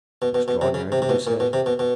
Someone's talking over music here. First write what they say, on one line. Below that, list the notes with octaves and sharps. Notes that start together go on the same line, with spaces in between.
"Extraordinary, did you say?"
B2
B2
B2
C3
C#3
C3
C3
B2
A#2
B2
C3
B2
B2